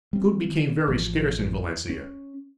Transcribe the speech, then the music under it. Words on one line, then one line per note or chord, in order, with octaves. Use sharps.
Food became very scarce in Valencia.
G3 C4
D#3
A1 F3
C#4